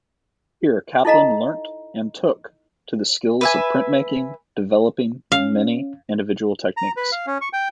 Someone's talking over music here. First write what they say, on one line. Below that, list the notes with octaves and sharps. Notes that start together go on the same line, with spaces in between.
Here Kaplan learnt and took to the skills of printmaking, developing many individual techniques.
D#4 E4 A4 D#5 F5 A#5
B4 E5 G#5
C#4 F5
A#5
B4
F5
C#4
C#6
G5